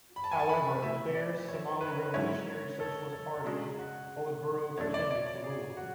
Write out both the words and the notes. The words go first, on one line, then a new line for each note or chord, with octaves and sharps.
However, Barre's Somali Revolutionary Socialist Party politburo continued to rule.
B5
A5
G#5
A5
B5
B2 A3 E4 E5
D5
C#5
B4
G#2 F#3 C#4 E4 C#5
A4
A4
A4
C#3 G#3 D4 G#4
F#4
E2 C#3 F#3 A3 D4 C#5
D5
D5
D5
G#4
F#4